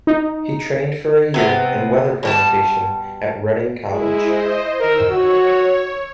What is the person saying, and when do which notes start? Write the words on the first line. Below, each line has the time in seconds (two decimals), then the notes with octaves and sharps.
He trained for a year in weather presentation at Reading College.
0.07 D#4
1.34 C3 B3 C4
2.23 B2 G3 A5
3.91 G#3 E4
4.22 C5 D#5
4.80 D#3 A#4 E6
5.10 F#4 C#5